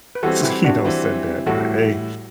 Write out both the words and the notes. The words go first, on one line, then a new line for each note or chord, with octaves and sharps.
s you know, said that." But, hey,
B4
E3 G3 C4 F#4 A4
E4 G4
D4 F#4
E3 G3 C4
A2 E3 G3 F#4 A4